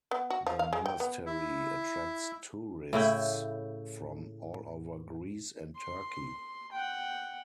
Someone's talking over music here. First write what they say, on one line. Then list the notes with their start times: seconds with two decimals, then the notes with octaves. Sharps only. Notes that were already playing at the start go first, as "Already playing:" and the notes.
The monastery attracts tourists from all over Greece and Turkey.
0.11 B3
0.30 F#4
0.47 F3
0.59 F5
0.73 G#3
0.86 G5
1.00 B3
1.26 E4
2.93 A2 C#3 E4 G5
5.76 C6
6.72 F#5 G5